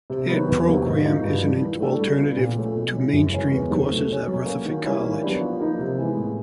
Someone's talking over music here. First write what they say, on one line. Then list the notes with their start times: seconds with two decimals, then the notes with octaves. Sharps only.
It program is an alternative to mainstream courses at Rutherford College.
0.10 C3
0.29 D#3 F#3 B3
0.48 E2
0.67 C3 D#3 F#3 A#3
0.86 G#2
1.04 F3 A#3 D#4 F#4
1.24 G2
1.43 D#3 G3
1.61 E3
1.80 A3 D4 F#4 A4
1.99 G3
2.18 B3 D4 F4
2.37 A#2
2.57 F3 A3 C#4
2.75 B2
2.94 G#3 C#4 E4
3.13 F#2
3.32 C#3 E3 G#3 C#4
3.52 E2
3.70 C3 D#3 F#3
3.90 A3
4.09 C#4 F#4
4.28 F#3
4.46 A#3 C#4 F#4
4.65 D#3
4.84 G3 A#3 C#4 E4
5.04 D#3
5.22 F#3 B3 D4 G4
5.41 F3
5.60 A#3 D#4
5.79 C3
5.99 E3 G#3 B3
6.17 A2